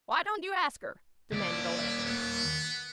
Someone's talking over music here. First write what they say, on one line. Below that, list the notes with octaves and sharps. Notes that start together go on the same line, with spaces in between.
"Why don't you ask her?" demanded old Anthony.
D#2 E4 D5
B3